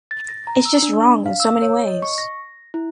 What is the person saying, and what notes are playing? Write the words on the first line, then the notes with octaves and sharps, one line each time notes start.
It's just wrong in so many ways.
A6
A#6
A#5
E6
D4
F5
E6
C#5
D#5
C#6
A#6
E4